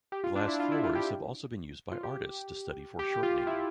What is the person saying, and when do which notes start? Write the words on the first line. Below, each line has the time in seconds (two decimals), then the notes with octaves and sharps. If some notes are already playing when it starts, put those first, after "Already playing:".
Glass floors have also been used by artists to study foreshortening.
0.12 G4
0.24 F4
0.36 D4
0.48 E4
0.60 F4
0.72 E4
0.84 F4
0.95 G4
1.92 F4
2.03 G4
2.99 G4
3.23 F4
3.47 E4